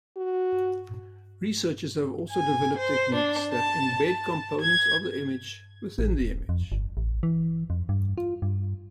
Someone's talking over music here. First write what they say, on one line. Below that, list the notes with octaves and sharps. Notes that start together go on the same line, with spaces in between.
Researchers have also developed techniques that embed components of the image within the image.
F#4
G#5
C5
D4
A5
A5
G#6
A1
D#1
F2
G1
A1
E3
F2
G2
F4
G2